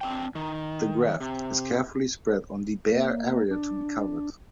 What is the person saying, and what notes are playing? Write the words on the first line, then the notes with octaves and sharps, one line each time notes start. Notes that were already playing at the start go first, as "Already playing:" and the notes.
The graft is carefully spread on the bare area to be covered.
C4 D4 G5
D#3
C3
A#3
D4